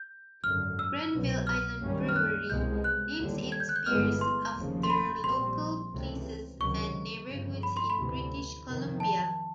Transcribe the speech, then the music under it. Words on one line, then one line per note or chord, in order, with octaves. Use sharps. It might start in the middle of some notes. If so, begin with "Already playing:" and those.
Granville Island Brewery names its beers after local places and neighbourhoods in British Columbia.
Already playing: G6
G#1 F#2 D3 F6
E6
C2 B2 F#3
F6
F#2 D#3 G3 A#3 C#4
F6
F#6
C2 B2 G#3 G6
F#6
D#2 D3 G3
G#6
G6
F#6
G6
G1 G2 E3 G#3 B3 F6
C6
F1 D#2 C#3 F3
C6
B5
A#1 A#2 G3 C4 C6
C#2 C3 E3 A3 C4
C#2 C3 D#3 F#3 C#6
G1 F2 C#3
B5
C6
B5
D2 C3 E3
F2 C3 D#3
A5